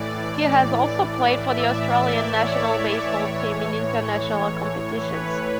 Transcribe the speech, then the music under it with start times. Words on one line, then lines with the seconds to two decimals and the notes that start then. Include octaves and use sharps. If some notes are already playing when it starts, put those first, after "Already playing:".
He has also played for the Australian national baseball team in international competitions.
Already playing: A2 E3 D5
1.36 E5
1.82 D5
2.27 C#5
2.73 E5
3.18 A2 E3 C#5
4.99 B4